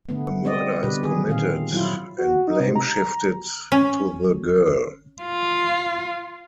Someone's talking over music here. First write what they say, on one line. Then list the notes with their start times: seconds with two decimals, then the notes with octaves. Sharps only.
A murder is committed and blame shifted to the girl.
0.09 D3 A3 B3
0.45 G3 C4 D5 D#5
0.83 B2 D3 G3 G4 B4
1.03 D#3 G#4
1.29 A#2 D#3 C4 F5
1.72 F#3 E4 F4
2.18 F#4
2.47 D#4
2.60 C3
2.76 A#5
3.72 C#4
5.23 F4